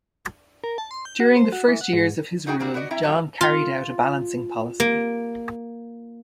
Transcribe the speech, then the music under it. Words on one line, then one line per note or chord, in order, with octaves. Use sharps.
During the first years of his rule John carried out a balancing policy.
A#4
A5
C6
G6
F#4
C5
F#4
E3
F#5
G#2
F#3 D#4 F#4 G#4 F5 G5
C#3 A#3 C4 D4 F#4
B3 F#4 C5 D5 D#5
C4 E4 E5 A#5
A2 E3 F#3 G3 C4 F4
F4
A#3